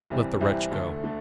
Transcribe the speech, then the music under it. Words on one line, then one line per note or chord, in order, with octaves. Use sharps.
Let the wretch go.
C2 C3 E3 G3 C4
C2 C3 E3 G3 C4
D2 D3 A3
D3 A3